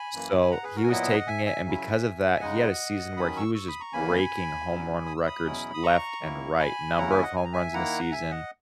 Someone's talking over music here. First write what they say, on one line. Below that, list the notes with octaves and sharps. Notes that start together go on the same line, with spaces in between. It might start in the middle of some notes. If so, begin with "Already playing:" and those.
So, he was taking it, and because of that, he had a season where he was just breaking home run records left and right, number of home runs in a season,
Already playing: G#5 B5
F#2 E3 A#3
G#5
F#5 A#5
G#4 B4
F#4 A#4
G#5
A#2 F#3 B3 E4 D#5 F#5
E5 G#5
E5 G#5
C#3 F#3 C#4 E4
E5
C#3 G#3 D#4 D#5 F#5
D#3 F#3 C#4 B5 D#6
C#6 E6
C#6 E6
B5 D#6
A#5 C#6
E2 C#3 E3 A#3 C#4 G#5 B5
A#2 F#3 C#4
D#6
E6
B5 D#6
E2 B2 F#3 C#4 E4
D#6
A#5 C#6
D#3 A#3 E4
G#5 B5
D#2 C#3 F#3 C#4 E4 F#5 A#5
E5 G#5
D#5 F#5
G#5
A#5
E5 G#5
D#3 A#3 E4 F#5 A#5
E5 G#5
D#5 F#5